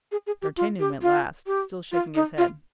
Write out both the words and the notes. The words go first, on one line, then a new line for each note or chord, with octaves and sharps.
D'Artagnan went last, still shaking his head.
G#4
G#4
G4
F4
G4
F4
G4
F4
D#4
F4